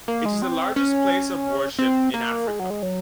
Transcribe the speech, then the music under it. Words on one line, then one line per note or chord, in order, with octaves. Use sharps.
It is the largest place of worship in Africa.
A#3
G#3
C4
C#4
C4
A#3
G#3
F#3
G#3
F#3